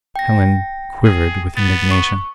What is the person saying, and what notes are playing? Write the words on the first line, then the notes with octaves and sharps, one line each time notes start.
Helen quivered with indignation.
G5 A#6
G#4
B3 A6
C#6